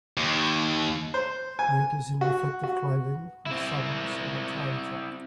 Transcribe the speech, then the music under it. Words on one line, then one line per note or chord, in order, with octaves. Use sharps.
Workers in reflective clothing with shovels on a train track.
D#2
C5
G#5
F#4
F#4
C4 E4